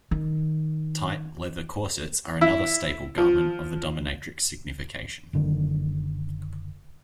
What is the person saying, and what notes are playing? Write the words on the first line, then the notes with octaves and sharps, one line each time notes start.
Tight, leather corsets are another staple garment of the dominatrix signification.
D#3
E4
F3
F#1 D3 D#3